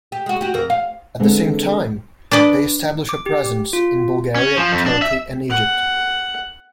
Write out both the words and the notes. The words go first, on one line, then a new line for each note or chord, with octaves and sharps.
At the same time, they established a presence in Bulgaria, Turkey, and Egypt.
G4
G#3 F#4
F#4 G4
F2 A#4
F5
D3 G#3 A3 B3 C4
D4 B4 D5 D#5
D6
G4
F4
C#4
F3
F2
D4
E5
F#5